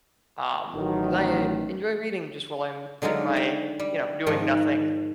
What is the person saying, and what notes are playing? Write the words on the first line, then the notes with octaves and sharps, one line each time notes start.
um, 'cause I enjoy reading just while I'm in my you know, doing nothing.
A1 D#3 F#3
D3 F#3 G#3 D#4 F4
G5
G3
G#2 D#3 F3